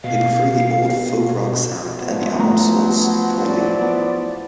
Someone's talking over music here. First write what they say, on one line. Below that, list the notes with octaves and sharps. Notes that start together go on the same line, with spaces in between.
They preferred the old folk-rock sound, and the album sold poorly.
B2 F5
F3 F#3 B3
A3 A#5
E4 D5
B3